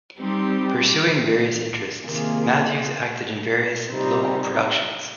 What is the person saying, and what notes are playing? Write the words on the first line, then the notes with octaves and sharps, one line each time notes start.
Pursuing various interests, Matthews acted in various local productions.
G3 C4 D#4 G4
C3 D#3 A#3 F4 G#4
C3 G3 C4 D#4